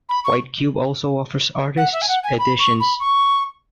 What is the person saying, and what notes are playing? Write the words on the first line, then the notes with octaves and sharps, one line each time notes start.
White Cube also offers artists' editions.
B5
C#6
F#5
E5
G#5
F#5
G#5
B5
C#6
B5
C#6